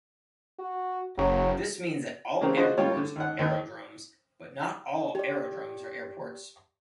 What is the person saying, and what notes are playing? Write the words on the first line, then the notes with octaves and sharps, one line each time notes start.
This means that all airports are aerodromes, but not all aerodromes are airports.
F#4
F#1 F#3
C#3 E3 A#3 C4 G4 G#4
D4 F4 F#4 G#4 C5 D#5
G3 C#4 F4 G4 C#5
D3
D#2 F#5
D#2 D#3
G4 D5